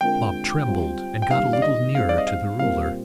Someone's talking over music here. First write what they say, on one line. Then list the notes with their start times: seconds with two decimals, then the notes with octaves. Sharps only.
Bob trembled, and got a little nearer to the ruler.
0.01 D3 G#3 C4 F4 A#4 G5
0.66 G3 C4 F4
1.22 G5
1.30 G2 D#3 A#3 D#4 G4 F5
1.53 D5
1.62 D#5
1.94 G3 C4 D#4 G#4 C5 F5
2.09 D5
2.18 D#5
2.27 F5
2.59 A#2 G3 C4 F4 A#4 F5